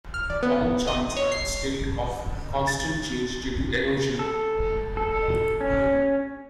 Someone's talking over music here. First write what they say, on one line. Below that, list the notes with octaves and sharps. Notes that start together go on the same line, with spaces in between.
All chines are in a state of constant change due to erosion.
F6
D5
B3
D#5
C#5
C7
A6
A4
A4
C#4